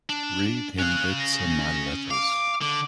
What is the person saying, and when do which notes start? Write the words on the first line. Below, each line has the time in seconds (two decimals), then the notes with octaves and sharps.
Read him bits of my letters.
0.09 D4
0.79 C#4 F5 F#6
1.20 A#6
2.10 F5 D6
2.62 D3 D6